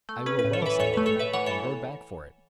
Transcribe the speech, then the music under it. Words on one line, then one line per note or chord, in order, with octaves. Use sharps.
"I will well," said Arthur, and rode back for it.
A3
C#4 B4
B4
A2
A4 C#5
E3 B4 E5
A2 A4 C#5
A3 B4
A4 C#5
A2 B4 E5
E3 C#5 F#5
E3 A4 C#5